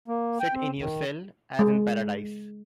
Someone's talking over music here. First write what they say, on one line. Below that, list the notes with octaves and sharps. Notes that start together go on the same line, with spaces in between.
Sit in your cell as in paradise.
A#3
G5
C4
D#3
G#3